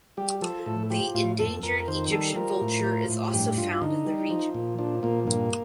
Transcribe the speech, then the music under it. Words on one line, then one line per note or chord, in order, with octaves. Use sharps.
The endangered Egyptian vulture is also found in the region.
G3 G4
F3 A4
A2 A4
F3 G4
A2 F4
F2 A4
F2 A#4
A#4
D#3 C5
G3 A4
F3 A#4
A2
F3
A2
G2 G4
G2 F4
F4
D3 D#4
G3
F3
A#2
F3 D4
A#2 A#3
G2 A#3